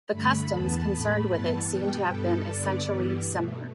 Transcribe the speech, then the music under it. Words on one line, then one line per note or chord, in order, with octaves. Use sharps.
The customs concerned with it seem to have been essentially similar.
G2 D3 A3 B5
E2 E3 B3 A5
A2 A3 B5
G2 E3 B3 A5
B2 G3 B3 G5
G2 G3 B3 A4
G2 D3 B3 D5
G2 E3 G3 B3
B2 A3